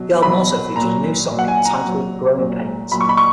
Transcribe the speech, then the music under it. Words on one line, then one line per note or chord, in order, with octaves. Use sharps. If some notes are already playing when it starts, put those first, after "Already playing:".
The album also featured a new song titled "Growing Pains".
Already playing: B2 F#3
B2 F#3 B5
A#2 A#5
F#3
A#2 F#3
F#5
G#5
A#5
A#2 F#3
A#2 F#3
A#2 F#3 B5
C#6
B5
C#6